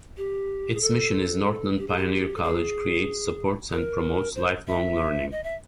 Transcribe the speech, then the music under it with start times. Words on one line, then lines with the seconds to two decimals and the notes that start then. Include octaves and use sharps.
Its mission is Northland Pioneer College creates, supports and promotes lifelong learning.
0.17 G4
0.74 G#4
0.81 A4
1.78 G4
1.88 G#4
1.97 G4
2.36 A4
2.43 G#4
3.71 A#4
4.35 C5
4.68 E5
5.32 D#5
5.44 E5